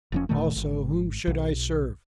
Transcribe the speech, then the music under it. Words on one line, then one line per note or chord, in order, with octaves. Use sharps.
Also whom should I serve?
F1 F2 C#4
E1 A#2 D#3 A3
G#1
B1